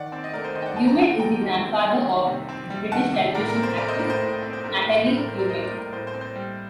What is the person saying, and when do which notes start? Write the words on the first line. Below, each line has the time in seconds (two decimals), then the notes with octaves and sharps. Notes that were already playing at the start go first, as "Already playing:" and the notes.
Gumede is the grandfather of British television actress, Natalie Gumede.
Already playing: D#3 D5 F#5
0.12 C4
0.24 D#5
0.33 A3 A#4 D5
0.44 C5
0.55 D#3 C5 D#5
0.62 G5
0.66 D5 F#5
0.76 D#3 A5
0.88 A#5
0.98 C4 F#5 A5
1.19 A3 G5 A#5
1.41 D#3
1.62 C4
1.84 G3
2.06 D#3
2.27 C3
2.49 C4
2.70 G3
2.92 D#3 F#5 A5
3.13 C3
3.35 A2 A#4 D5
3.49 A#4
3.56 C4
3.63 C5
3.77 A3 A#4 D5
3.88 C5 D#5
3.99 A2 A#4
4.10 C5
4.20 A2
4.42 C4
4.53 C5
4.64 A3 A#4
4.85 A2
5.06 A2 C5
5.17 A#4 D5
5.28 C4 C5
5.38 A#4 D5
5.49 G3 C5 D#5
5.64 A#4 D5
5.71 A2
5.78 A#4
5.92 A2 C5
6.07 C5
6.14 C4
6.21 C5
6.36 G3